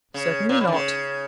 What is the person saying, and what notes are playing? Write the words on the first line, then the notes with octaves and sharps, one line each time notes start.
"Certainly not."
C#3
A#2
B2
D#3
C#3